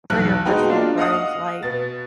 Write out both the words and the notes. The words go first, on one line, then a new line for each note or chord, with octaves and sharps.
for your personal growth, like
B1 E2 F#6
G#3 B3 D#4 F#4 B4 G5
A#3 D4 F4
D#5 F5 F#5 D#6
B2 A6